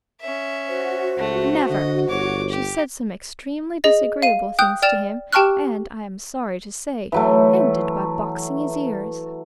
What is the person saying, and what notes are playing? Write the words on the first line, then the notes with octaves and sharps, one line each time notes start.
"Never!" She said some extremely disagreeable things to him, and, I am sorry to say, ended by boxing his ears.
C#4 E5
F#4 C5
C#2 A3
D3 D#5
G1 C#5 D6
G4
G#4 D#5 A#6
F5 D#7
G5 D#6 F#6 G6
D5 G5 F6 A6 E7 F7
G4 G5 A5 C#6 F6 F#6
E3 F#3 A3